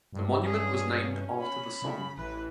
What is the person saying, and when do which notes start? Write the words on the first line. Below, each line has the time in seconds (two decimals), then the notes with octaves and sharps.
The monument was named after the song.
0.13 G2
0.44 C#4 G#4
1.41 B5
1.82 C#3
2.17 A1 E3 B4